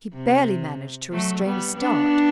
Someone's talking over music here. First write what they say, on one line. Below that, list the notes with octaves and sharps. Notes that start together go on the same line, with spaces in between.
He barely managed to restrain a start.
C3
F#3 A3
G3 B3
B3 D4